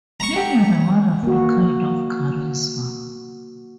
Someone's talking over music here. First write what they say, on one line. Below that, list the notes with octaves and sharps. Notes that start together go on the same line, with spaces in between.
He had a wonderful kind of charisma.
A#5 C#6
G4 A4 F#5
A#3 F#4